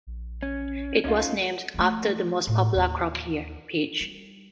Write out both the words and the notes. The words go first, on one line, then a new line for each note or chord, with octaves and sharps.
It was named after the most popular crop here, peach.
A#1
C#4
C#2 C#4 D#4 F4
F3 A3
A2
D#2 D#3
G3